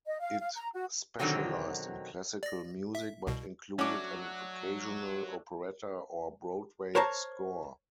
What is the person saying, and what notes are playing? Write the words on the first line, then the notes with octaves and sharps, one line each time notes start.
It specialised in classical music, but included an occasional operetta or Broadway score.
D#5
F5
F5
A#5
F#4
B2 D3 D#3 F#3 C4 G4
D5 A#6
E5
C2 B2
F#3 A3 C#4 D4 F#4 D6
A#4 C5 C#5 A5 A#5